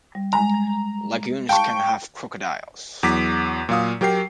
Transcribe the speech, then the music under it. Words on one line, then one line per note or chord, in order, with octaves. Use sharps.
Lagoons can have crocodiles.
G3
G#3 G#5 A#5
F5 G5 A5 C#6
E2 F#3 D6 B6
A#2 F#3 F5 D#6
F#3 G4 A#4 G5 C7